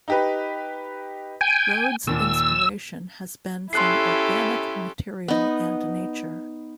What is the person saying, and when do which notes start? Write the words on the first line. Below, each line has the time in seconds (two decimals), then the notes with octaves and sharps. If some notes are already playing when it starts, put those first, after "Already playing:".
Rhodes' inspiration has been from organic material and nature.
0.08 D#4 G4 B4
1.41 G5 G#5
2.07 D#2 A#2 E6
3.73 C#4 E4 G4 A4 C6 F#6 C7
5.28 B3 D#4